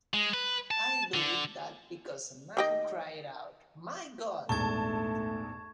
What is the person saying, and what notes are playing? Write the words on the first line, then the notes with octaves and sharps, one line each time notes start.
I believed that because a man cried out 'My God!'
G#3
B4
A5
D3
D#3 G4 D#5
A#1 E2 G#2 A3 A5 C#6 G#6